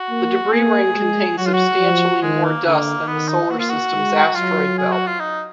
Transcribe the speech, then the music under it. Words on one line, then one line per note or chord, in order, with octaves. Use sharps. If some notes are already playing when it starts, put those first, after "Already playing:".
The debris ring contains substantially more dust than the Solar System's asteroid belt.
Already playing: F#4
A#3
A#3 G#4
G#3
F#3 F#4
F4
F#4
F3
D#3 G#3
A#3
D3 A#3
D#3 B3
D#4
A#3 F#4
F4
F#4
G#3
F#3 F4
G#4
F#4
F4
D#4